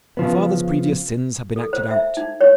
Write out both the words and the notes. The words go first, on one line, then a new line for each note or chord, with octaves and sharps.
The father's previous sins have been acted out.
C#3 F3 B3
A4
C5
E5
D#4
C#5